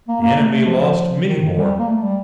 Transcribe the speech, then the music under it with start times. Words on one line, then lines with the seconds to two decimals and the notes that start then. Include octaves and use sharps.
The enemy lost many more.
0.08 A#3
0.22 A#3
0.38 A3
0.53 A3
0.67 F3
1.28 D#3
1.43 D#3
1.57 G3
1.79 A#3
1.88 A3
2.02 G3